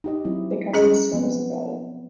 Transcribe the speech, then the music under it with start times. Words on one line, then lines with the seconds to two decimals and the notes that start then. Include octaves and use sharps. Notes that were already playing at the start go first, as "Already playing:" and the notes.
The cousins told us about it.
0.04 D#4 G4 D#5
0.25 F#3 C4 E4
0.73 C#4 G#4 A4 D#5
1.13 F3 B3 C4